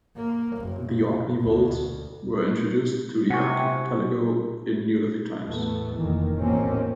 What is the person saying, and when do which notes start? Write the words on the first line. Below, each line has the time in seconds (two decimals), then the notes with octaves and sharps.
The Orkney voles were introduced to the archipelago in Neolithic times.
0.16 A#3
0.56 F#1
1.41 D2
3.30 C3 F#5 G#5 C#6
5.44 E2 A2 A3 B3
5.96 F1 A#2 D#3 E3 A#3
6.38 A1 E2 B2 A#3 C4 C#4